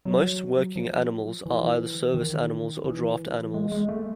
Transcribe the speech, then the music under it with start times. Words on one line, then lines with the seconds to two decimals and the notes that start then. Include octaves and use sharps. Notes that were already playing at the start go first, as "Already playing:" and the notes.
Most working animals are either service animals or draft animals.
0.05 F#3
0.76 F3
1.46 E3
2.14 D#3
2.84 E3
3.54 G#3
3.72 G#3
3.89 A3